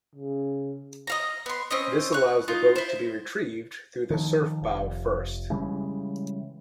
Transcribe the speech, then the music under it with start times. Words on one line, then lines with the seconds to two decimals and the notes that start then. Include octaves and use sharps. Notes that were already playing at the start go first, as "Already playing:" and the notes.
This allows the boat to be retrieved through the surf bow first.
0.15 C#3
1.07 D#5 F5 A#5
1.46 B3 C6
1.71 C4 C#4 D#5
2.12 C#6 F#6
2.48 D#4 F4 D#5
2.76 E4 C5
4.10 D#3 F3
4.62 F1
5.50 C#3 E3 G3 G#3